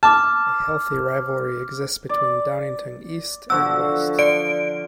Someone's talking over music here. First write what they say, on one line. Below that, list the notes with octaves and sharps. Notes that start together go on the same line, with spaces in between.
A healthy rivalry exists between Downingtown East and West.
A5 D6 F6
D5
D3 F3 F#4 E6
D5 F5 D7